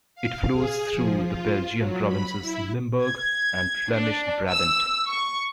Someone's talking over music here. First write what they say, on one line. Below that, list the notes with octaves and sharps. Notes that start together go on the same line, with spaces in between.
It flows through the Belgian provinces Limburg and Flemish Brabant.
F5
G#4
F3
F4
F#3
B5
E4
G#6
D4
E6
C#6